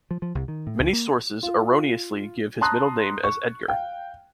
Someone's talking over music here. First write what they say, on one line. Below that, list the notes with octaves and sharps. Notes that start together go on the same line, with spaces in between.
Many sources erroneously give his middle name as Edgar.
F3
F3
C2
D#3
A2
C#2
A#3
F4
A5 A#5 C6 D#6 F#6
C#6
F5 G5